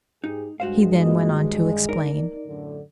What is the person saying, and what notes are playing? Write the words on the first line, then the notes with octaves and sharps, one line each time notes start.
He then went on to explain.
G#2 D#4 G4 G#4
G2 G#3 F#4 C5 F5
A#3 F4 D#5
D#3
D#4 A#4 D5
F#2 A2 D3